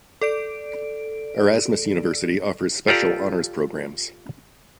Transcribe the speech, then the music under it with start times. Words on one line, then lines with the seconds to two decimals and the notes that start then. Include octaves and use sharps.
Erasmus University offers special honours programmes.
0.21 A4 D5 D7
2.88 F4 G4 A4 D5 A#5